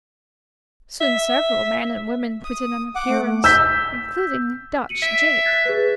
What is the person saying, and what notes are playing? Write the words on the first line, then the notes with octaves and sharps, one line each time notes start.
Soon several men and women put in an appearance, including Dutch Jake.
E5
D#6
F#5 D6
A3
E6 G6 B6
C#7 D#7 F#7
E5 D7
F#6 G#6 A6
G#4 B4